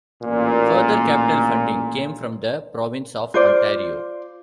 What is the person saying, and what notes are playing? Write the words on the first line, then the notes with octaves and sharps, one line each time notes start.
Further capital funding came from the Province of Ontario.
A1 A#2
F4 C5 D5